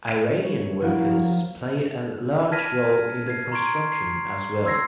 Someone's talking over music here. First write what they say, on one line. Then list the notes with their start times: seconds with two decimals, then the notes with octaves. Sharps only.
Iranian workers played a large role in the construction as well.
0.43 C#5
0.81 F3 F#3 A#3 E4
2.51 A5 F6 G#6 A#6 B6 D#7
3.28 G#6 C7
3.52 A#5 C6 C#6 G#6 D7
3.92 C7
4.65 C6 E6 G#6 A#6 C7